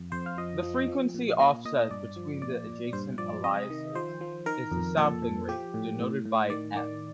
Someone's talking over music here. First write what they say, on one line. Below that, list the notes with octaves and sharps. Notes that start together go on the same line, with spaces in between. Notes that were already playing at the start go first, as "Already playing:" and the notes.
The frequency offset between adjacent aliases is the sampling-rate, denoted by "f".
Already playing: F2
F2 C5
F5
F3 D#5
F3
F3
A#2
A#2 D#5
A#2 D#5
G2 D5
F3
A#2 D5
A#2
G2 C5
F3 D5
C3 D#5
D#3
F3 C5
F3
D#3 A#4
F2
A#2 A4
A#2
F3 G4
A2
A2
A2
D#3 D5
D#3 D5